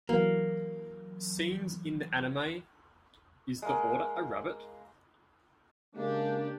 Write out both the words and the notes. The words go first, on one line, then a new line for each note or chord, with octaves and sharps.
Scenes in the anime Is the Order a Rabbit?
E3 F#3 A#3
G#3 A#3
C#3 G#3 A#3 D4 G4